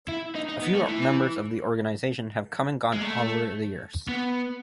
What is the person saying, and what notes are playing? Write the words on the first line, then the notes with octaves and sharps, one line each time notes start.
A few members of the organization have come and gone over the years.
E4
D#4
D#4
B3
A3
E3
G#3
A3
B3